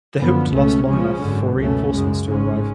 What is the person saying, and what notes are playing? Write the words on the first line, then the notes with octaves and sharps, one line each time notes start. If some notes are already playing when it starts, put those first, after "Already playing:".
They hoped to last long enough for reinforcements to arrive.
F#2 D3 F3 B3
C#2 B2 A3 C#4
C#2 C#3 F3 G#3 C#4
G#1 F#2 D3
C#2 B2 A3 C#4
F#2 C#3 G#3
G#1 G#2 G#3 C#4